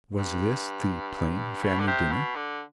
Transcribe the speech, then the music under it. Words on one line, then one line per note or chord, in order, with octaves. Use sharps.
Was this the plain family dinner?
G2
B2
D3
C3
B2
D3